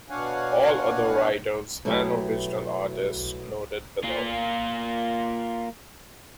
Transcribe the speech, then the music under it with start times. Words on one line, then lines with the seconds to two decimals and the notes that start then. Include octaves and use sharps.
All other writers and original artists noted below.
0.10 B2 D4 C#5 F5 F#5 G#5
1.85 B2 F#3 A3 B3 E4 G4
4.04 A#3 F4